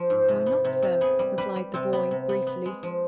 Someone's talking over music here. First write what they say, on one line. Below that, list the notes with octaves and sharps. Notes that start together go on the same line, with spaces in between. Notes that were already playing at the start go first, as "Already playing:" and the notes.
"Why not, sir?" replied the boy briefly.
Already playing: F3 B3
G#2
C3
B3
C3
C3
B3 G#4
G3
G3 B4
G3
C3 C4
B3
C3
B3
B3
G#3
F3